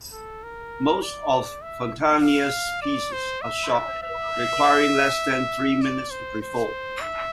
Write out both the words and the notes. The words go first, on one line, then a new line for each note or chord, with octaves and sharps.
Most of Fontanelli's pieces are short, requiring less than three minutes to perform.
A4
A#4
D5
E5
F5
D5
C5
E5
E5
D5
C5
C5
E5